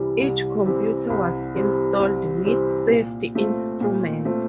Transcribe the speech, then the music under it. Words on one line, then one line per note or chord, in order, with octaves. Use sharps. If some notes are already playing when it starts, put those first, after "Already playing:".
Each computer was installed with safety instruments.
Already playing: C2 C3 E3 G3 C4
C2
C3 E3 G3 C4
C2
C3 E3 G3 C4
C2
C3 E3 G3 C4
A#2
A3 C4 F4
A#2
A3 C4 F4